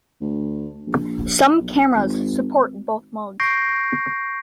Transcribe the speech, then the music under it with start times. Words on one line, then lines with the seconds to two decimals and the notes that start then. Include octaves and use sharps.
Some cameras support both modes.
0.21 D2
0.87 A#1
1.60 B1
1.95 G#1
3.40 C#6 G6 A#6 C7 D7